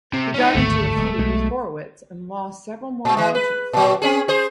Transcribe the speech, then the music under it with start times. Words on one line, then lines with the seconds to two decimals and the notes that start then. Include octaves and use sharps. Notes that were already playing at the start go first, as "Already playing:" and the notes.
He got into a feud with Horowitz and lost several more matches.
0.14 C3
0.35 C#4 D#4
0.55 G#1 D2 G2 A3
0.96 D1 G#3
1.18 B1 B2 G#3
3.05 A#2
3.17 E3 G#3
3.35 B4
3.73 A#2 F#3
4.02 C4 C#4 G#4
4.28 G#4 C5